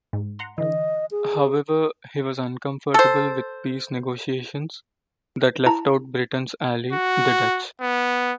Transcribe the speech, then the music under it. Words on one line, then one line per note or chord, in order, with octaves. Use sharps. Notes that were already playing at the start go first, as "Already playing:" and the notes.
However he was uncomfortable with peace negotiations that left out Britain's ally, the Dutch.
G#2
F#5 A#5 C6
D3 E3 D#5
G#4
A4 C5
E4 A5 A#5
F#4
B3